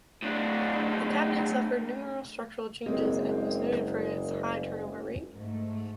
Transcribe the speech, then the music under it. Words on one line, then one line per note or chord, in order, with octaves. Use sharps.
The cabinet suffered numerous structural changes and was noted for its high turnover rate.
A2 D4
F#1 G#3 A#3 C4
G#2 A3